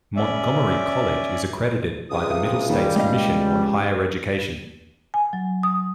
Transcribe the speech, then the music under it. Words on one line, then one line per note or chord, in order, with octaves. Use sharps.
Montgomery College is accredited by the Middle States Commission on Higher Education.
C#4 D5 E5
C#2 C3 D#6
D#2 G3
C#2 G#3 G4 D#5 F5
G#5
F#3
D#6